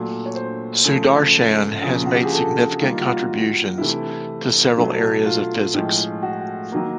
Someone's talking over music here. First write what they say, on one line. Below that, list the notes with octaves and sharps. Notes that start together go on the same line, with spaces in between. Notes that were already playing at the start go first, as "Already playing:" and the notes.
Sudarshan has made significant contributions to several areas of physics.
Already playing: A#2 F#3 A3
C#5
C5
C#3 F3 A3
C#3 F3 A#3
F4
F#4
G4
G#4
A4
D#3 G3 A#3 F4
F#4
F4
C3 E3 A3 E4
B2 F#3 A3
F4
A2 F3 G#3
F#4
D#3 F#3 A#3